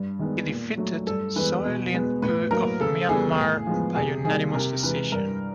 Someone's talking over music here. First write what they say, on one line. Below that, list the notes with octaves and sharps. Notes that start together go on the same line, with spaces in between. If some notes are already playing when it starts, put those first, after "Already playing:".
He defeated Soe Lin Oo of Myanmar by unanimous decision.
Already playing: G2
D#3 G#3 B3
A#2
F#3 A3
G2 A4
E3 G#3 B3 B4
B2
G#3 B3
A2 B4
F#3 A#3 A#4
C#3 A4
E3 G3 B3 G#4
A2
F3 G#3 B3
C3 G#4
D#3 G3 A#3 G#4
C3 A#4
E3 G#3 B4
G2 A#4